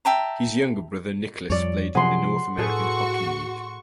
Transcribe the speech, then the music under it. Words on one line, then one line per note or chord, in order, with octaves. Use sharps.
His younger brother Nicholas played in the North American Hockey League.
E5 G5 A5 A#5
F2 G3 C#5 D5
C3 F3 G#4 F#5 C6
A2 F#4 G#4 A4 B4 C#6